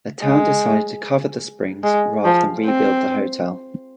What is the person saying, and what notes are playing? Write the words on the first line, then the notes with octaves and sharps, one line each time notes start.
The town decided to cover the springs rather than rebuild the hotel.
G#3
G#3
F3
C4